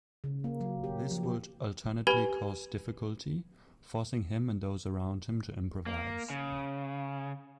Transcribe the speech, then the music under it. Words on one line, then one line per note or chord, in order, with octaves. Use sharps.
This would alternately cause difficulty forcing him and those around him to improvise.
C#3
A#3
F#3
G4
F3
G4
G4 B4 G#5 B5 G#6
A#3
C#3